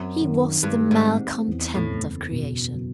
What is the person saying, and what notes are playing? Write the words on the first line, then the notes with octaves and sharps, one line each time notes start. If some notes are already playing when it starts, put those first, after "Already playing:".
He was the malcontent of creation.
Already playing: F#2 C4
D#3
G2 G#3
G#2
C4
E2
A2
F#1
B2
F#3